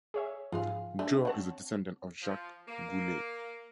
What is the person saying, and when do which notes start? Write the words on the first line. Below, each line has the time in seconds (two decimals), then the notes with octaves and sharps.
Joe is a descendant of Jacques Goulet.
0.14 G#4 C#5 E5
0.52 G#2 F3 F4 G#4 F5
0.99 A3 D4 E5
1.25 C4 C#5 F#5 A5
2.22 F3
2.67 A#3